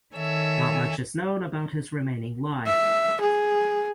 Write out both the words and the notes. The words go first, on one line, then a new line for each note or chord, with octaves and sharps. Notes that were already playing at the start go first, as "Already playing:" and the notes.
Not much is known about his remaining life.
D#3 A4 C#5 E5 G#5
E5
G#4